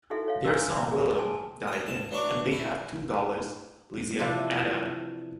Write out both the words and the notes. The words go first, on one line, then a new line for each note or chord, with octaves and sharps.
Their son William died young, and they had two daughters, Louisa and Anna.
D#4 E4 F#4 A4 E5
C#5 F5
G#5 A#5 C6 E6
D5 E5
G#4
G#4 G#5 A5 C6
A4 D#6
A5
E3 F#3 D4 C#5 C#6 D6
E4
C3 E3 F3 D4